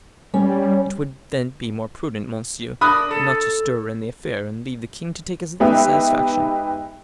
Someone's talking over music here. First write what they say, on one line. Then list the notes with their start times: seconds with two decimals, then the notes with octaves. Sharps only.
"It would then be more prudent, monsieur, not to stir in the affair, and leave the king to take this little satisfaction."
0.34 G3 C#4
2.81 D4 A#4 B5 D#6 F#6
3.11 A4
5.60 G#3 B3 D#4 G4 B4 E5